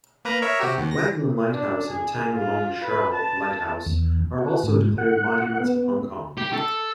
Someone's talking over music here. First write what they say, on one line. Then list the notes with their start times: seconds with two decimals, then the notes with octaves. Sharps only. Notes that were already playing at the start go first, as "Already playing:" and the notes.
Waglan Lighthouse and Tang Lung Chau Lighthouse are also declared monuments of Hong Kong.
0.25 A#3 B4 A#5
0.42 A#4 C#5 E5
0.60 C3 F#4 G4
0.78 D#2
0.91 A#6
1.50 D4
1.90 G#4
2.32 F4
2.84 B4
3.14 A5
3.86 E2
4.38 F#4
4.63 G#2
4.98 F#5
5.60 B3
6.38 G4
6.53 A4